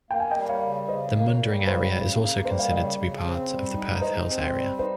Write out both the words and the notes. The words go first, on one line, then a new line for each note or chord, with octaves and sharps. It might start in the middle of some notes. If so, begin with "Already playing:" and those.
The Mundaring area is also considered to be part of the Perth Hills area.
A#3 G5
G#5
D#5 G5
G3
C#5 F5
C#3
C#3 C5 D#5
A#3
C#5
G3
C#3 C5
C#3
A#3
G3 C5
F5
C#3 D#5
C#5
C#3
C4
G3
D#4
G#2 C5 D#5
C4
G3
D#4 C5